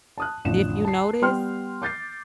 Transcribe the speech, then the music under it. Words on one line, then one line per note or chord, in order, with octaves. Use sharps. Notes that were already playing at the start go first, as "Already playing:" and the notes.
if you notice,
A5 D#6 F#6
A1 F2 D3 E7
A5 C7
G3 B3 G5 C6 F6
D6 G6 A6 C7